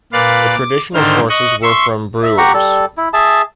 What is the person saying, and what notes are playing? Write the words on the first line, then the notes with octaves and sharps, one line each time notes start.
The traditional sources were from brewers.
A#2 B4 D5 F5
D6
G#2 D3 D#3 C5 F6
D#5 C#6 F#6
E5 C6 C#6
E5
G4 F#5 A#5 C#6
G3 A4
E4
G#4 E5 A5